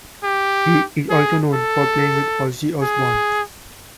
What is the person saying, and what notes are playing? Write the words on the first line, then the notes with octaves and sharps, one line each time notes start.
He is also known for playing with Ozzy Osbourne.
G4
G#4
A4
G#4